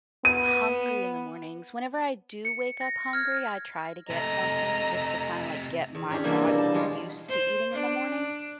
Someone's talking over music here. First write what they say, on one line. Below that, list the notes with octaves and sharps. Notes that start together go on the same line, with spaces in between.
hungry in the mornings; whenever I do wake up hungry, I try to get something just to kinda, like, get my body used to eating in the morning.
B3 D#7
C#7
A#6
F6 G#6
C3 A3 D#5 A#5
E2
C#4 D4 G4
C3 E3 G3 A#3 E4 G4
B2
A5
G3 G#3 C#4 D4 F4
C5
D4